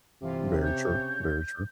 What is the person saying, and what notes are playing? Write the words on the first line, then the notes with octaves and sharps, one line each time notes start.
Very true. Very true.
G1 C3 E3 F4
C#3 C#5 G6